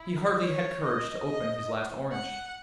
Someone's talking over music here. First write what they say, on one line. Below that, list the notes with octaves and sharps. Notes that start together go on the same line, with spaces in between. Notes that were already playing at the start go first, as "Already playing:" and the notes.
He hardly had courage to open his last orange.
Already playing: E4
C#5
D#5
D#5
F#5